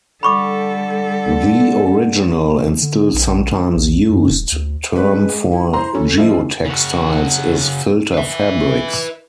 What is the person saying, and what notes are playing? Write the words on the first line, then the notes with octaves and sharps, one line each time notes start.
The original, and still sometimes used, term for geotextiles is "filter fabrics".
D3 G3 A4 B5 C#6 D6
D3
A#1
A#1
F#2
D#1
D2
G#3 B4
E4
E4 C5 A#5 C6
F#3 C#4 A4
F3 E4 D#5
C#3 F#4
B4 E5